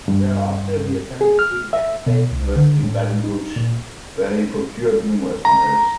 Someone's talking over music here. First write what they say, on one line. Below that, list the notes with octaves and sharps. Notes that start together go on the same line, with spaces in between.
Thereafter, he attended Louisiana State University in Baton Rouge, where he procured numerous honors.
G2
G#4
F6
E5
B2
C2
D3
A2
D#4
A#2
A#5